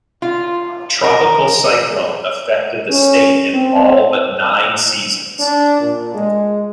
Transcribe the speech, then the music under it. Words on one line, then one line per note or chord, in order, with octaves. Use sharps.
Tropical cyclone affected the state in all but nine seasons.
F4
A#4
C#4
C4
D4
A#2
G#3